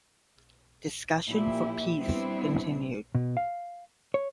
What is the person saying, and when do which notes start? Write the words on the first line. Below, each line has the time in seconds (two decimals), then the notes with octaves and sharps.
Discussion for peace continued.
1.28 A#2 F3 E4 G4
1.97 G3 B3 C4 D4 E4
3.15 B2
3.37 F5
4.14 C#5